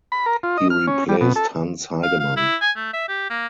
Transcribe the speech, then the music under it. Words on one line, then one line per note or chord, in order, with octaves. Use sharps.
He replaced Hans Heidemann.
B5
A#4
F4
D#5
F6
C#4
G3
B2
A4
F5
F5
E4
G#5
A3
E5
G4
A#3